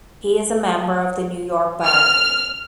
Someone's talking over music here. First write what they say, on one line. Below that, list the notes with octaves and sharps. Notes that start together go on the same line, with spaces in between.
He is a member of the New York Bar.
F6